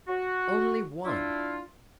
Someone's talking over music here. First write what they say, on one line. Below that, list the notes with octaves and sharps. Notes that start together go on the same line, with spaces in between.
Only one!
F#4
D4 E4 F4